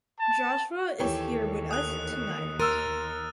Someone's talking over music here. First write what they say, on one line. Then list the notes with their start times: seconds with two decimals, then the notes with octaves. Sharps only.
Joshua is here with us tonight.
0.20 A5
1.00 D#2 E3 G4 A4 C#5
1.71 D#6 F#6
2.60 A#4 C6 E6 F6 A6 D#7